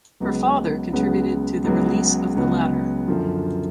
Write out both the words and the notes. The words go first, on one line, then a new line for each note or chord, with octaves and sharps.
Her father contributed to the release of the latter.
C#2 C#3 F#3 B3
C#2 C#3 F#3 B3
C#2 C#3 F#3 B3
C#2 C#3 F#3 B3
F#2 D3 F3